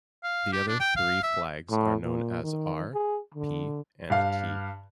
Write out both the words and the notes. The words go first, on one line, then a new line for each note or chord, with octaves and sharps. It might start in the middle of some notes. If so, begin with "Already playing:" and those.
The other three flags are known as "R", "P" and "T".
F5
G4
D4
G5
F5
E5
A2
A#2
D#3
G#4
D3
G2 F5